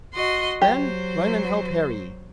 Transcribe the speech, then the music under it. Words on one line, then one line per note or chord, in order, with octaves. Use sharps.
Ben, run and help Harry.
F#4 D#5 C6
F#3 G4 C5